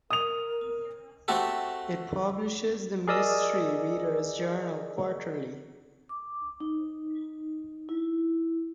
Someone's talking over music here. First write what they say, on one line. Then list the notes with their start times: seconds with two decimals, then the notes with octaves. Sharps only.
It publishes the "Mystery Readers Journal" quarterly.
0.10 A#4 D#6 F7
1.28 A3 C4 F#4 G4 A4
3.08 G#4 A#4 D5 D#5 D#6 E6
6.09 D6
6.60 D#4
7.89 E4